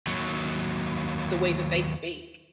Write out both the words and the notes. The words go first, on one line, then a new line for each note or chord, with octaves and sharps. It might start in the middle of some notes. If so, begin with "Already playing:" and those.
the way that they speak.
D#2 F#3